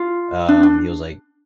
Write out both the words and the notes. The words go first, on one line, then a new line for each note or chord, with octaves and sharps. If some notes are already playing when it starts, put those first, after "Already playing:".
um, he was, like
Already playing: F4
D4
D4